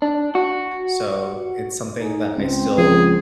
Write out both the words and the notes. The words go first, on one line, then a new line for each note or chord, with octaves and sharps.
So, it's something that I still
D4
F#4
D#4 G#4
C#2 C4
C#2 F3 G#4